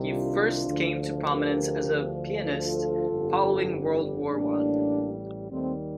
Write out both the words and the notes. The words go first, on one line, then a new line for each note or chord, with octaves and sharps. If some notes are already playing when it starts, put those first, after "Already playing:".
He first came to prominence as a pianist following World War One.
Already playing: C2 C3 D#3 G3
D4 F4
D2 D3 F3
G4 A#4
D2 D3 F3
F4 A4
G1 F2 D3 G3
A1 A2 G3 A#3 D4
D#2 D#3 G3 A3 C4